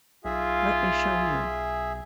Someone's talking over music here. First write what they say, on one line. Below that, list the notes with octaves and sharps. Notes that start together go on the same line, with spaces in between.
Let me show you.
B1 F4 G#4 E5